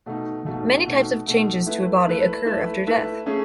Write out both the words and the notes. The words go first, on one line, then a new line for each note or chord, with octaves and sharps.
Many types of changes to a body occur after death.
B2 A3 D#4
B2 A3 D#4
B2 A3 D#4
B2 A3 D#4
A3 E4 B4 E5
A3 E4 B4 E5
A3 E4 B4 E5
A3 E4 B4 E5
A3 C#4 G#4